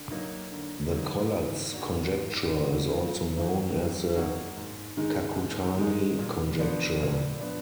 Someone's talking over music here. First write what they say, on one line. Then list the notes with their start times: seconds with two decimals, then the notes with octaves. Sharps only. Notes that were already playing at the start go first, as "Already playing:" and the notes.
The Collatz conjecture is also known as the Kakutani conjecture.
Already playing: D3
0.11 F#3 A#3 D#4
0.51 D3
0.91 F#3 A#3 D#4
1.32 G#2
1.72 D#3 A#3 D4 F#4
2.12 G#2
2.53 D#3 A#3 D4 F#4
2.94 F#2
3.34 D#3 A#3 D#4 F#4
3.75 F#2
4.15 D#3 A#3 D#4 F#4
4.56 G#2
4.97 D#3 G#3 D#4
5.38 G#2
5.77 D#3 G#3 D#4
6.19 A#2
6.59 F3 B3 D4
7.00 A#2
7.41 F3 B3 D4